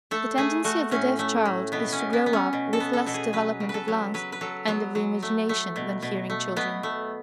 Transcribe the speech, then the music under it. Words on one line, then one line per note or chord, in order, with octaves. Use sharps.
The tendency of the deaf child is to grow up with less development of lungs and of the imagination than hearing children.
A3 A4
A3 G#4
A3 F#4
A2 C#4
A3
A2
B2 B3
C#4
B2
B3
B3
C#4
B2
A4
B3
A4
B2 A4
G#4
F#3 B4
C#3
B4
A4
F#3
F#3 B4
B4
F#3 A4
F#3 B3
F#3
A3
A3
B2
B2
A3
B2 B3
A3